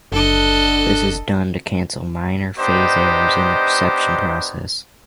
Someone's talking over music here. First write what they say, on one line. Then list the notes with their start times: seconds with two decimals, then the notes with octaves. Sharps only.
This is done to cancel minor phase errors in the reception process.
0.12 F#1 D3 D4 A4 D#5
2.58 B3 D4 D#4 G4 C5 D#5